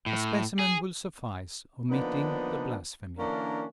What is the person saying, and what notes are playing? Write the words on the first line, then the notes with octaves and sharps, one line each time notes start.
A specimen will suffice, omitting the blasphemy.
A2
G#4
D3 F3 A#3 B3 D4 D#4
D3 E3 A#3 C#4 D4 A#4